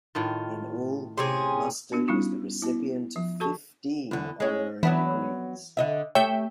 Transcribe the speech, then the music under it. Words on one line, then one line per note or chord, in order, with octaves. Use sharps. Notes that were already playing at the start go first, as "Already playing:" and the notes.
In all, Mustard was the recipient of fifteen honorary degrees.
A2 D#3 F4
C3 C#4 G#4
B3 D4 F#4
G3 C#4 D#4 F4
B3 E4
F3
F#4 A4 A5 C#6
E2 D3
G#3 C#4
E3 F#3 B3 D4
D3 D#5 E5
A3 G4 C#5 E5 G5